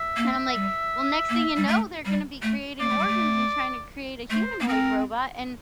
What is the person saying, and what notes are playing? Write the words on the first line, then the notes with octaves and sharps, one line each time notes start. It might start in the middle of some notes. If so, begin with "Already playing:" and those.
and I'm like, "Well, next thing you know, they're gonna be creating organs and trying to create a humanoid robot," and
Already playing: E5
A#3
G3
A#3
G3
A3
G3
A3
A#3 D5
A3
G3
A3
A3 C5
A#3
C4 A#4